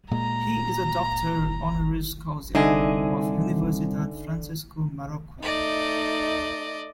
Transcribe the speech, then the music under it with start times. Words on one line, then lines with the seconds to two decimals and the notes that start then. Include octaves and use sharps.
He is a doctor "honoris causa" of Universidad Francisco Marroquin.
0.11 A#2 G#3 A#5
2.55 C2 D3 D#4 G#4 D#5 E5 G#5
5.42 A3 D#4 D5 D#5